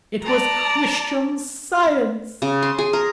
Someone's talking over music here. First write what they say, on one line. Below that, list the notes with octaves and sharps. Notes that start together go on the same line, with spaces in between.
It was Christian Science.
D5 A5 A#5
C#3
C6
G#4
A#4